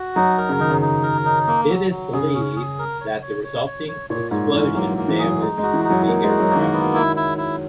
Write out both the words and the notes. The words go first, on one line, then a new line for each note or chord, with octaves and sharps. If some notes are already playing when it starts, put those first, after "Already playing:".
It is believed that the resulting explosion damaged the aircraft.
Already playing: F#4
F#3 D#4
A#4
C#3
D#3 D#4
C#3
D#4
A#4
D#4
A#3
F#3
F#3
C#3 G#4
C#4
G#4
A#4
C#5
C#5
C#5
C#5
C#5
A#2 C#5
G#2 C#5
E3 C#4
F#3 A#3
A#3
E3
G#4
F#3
G#3 D#4
G#3
F#4
E3
D#4
F#3
A#3 D#4
G#3
F#4
F#3
A#3
D#3
B3
E4
E4
E4